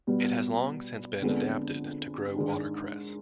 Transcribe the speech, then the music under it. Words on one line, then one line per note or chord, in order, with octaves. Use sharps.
It has long since been adapted to grow watercress.
B2 G3 B3
F2 D3 G#3 B3 D4
G#2 D#3 G#3 D4